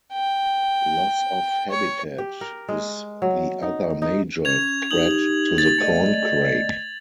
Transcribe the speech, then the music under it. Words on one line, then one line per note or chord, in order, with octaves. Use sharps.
Loss of habitat is the other major threat to the corn crake.
G5
C#5
G4
A#4
G#3
F#3
D#4
D#4
C#4 G#6 F7
D#4 G4 F#7
A6
A3 D5 D#5